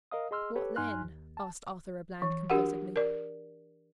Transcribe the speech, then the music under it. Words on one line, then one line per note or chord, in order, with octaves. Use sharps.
"What then?" asked Arthur-a-Bland, composedly.
A#4 D#5 F5 D#6
G#4 D#5 C6 E6 F6
G4 A4 B4 C#5
G2 D#4 G#5 C6 F6 F#6
D#2
A5
E3
D4 F#4 G4 A#4 F#5
A#4 D5